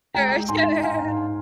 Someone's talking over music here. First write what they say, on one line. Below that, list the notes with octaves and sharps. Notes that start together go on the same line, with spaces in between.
Sure, sure.
G#3 G5 A#5
G#3
G#2 G#5 C6
G#2
G#2 F5 G#5
G#2